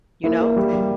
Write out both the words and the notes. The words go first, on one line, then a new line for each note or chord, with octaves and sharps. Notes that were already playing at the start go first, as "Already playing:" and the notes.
you know?
A#3 E4
A#3
G3
G3